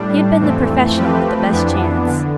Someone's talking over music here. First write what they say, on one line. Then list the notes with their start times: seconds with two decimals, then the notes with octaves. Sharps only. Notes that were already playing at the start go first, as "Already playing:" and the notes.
He had been the professional with the best chance.
Already playing: A2 G3 D4
0.39 F2 E3 A3 C4
0.95 F3 A3 C4 G4 B4
1.51 F2 E3 B3 D4
2.06 D3